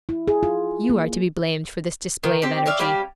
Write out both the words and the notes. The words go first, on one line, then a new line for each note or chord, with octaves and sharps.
You are to be blamed for this display of energy.'
E4
G#4
F4
A#3
D#3
C4 G4
C#5 D5 E5 F5
G3 C#4 G4 F5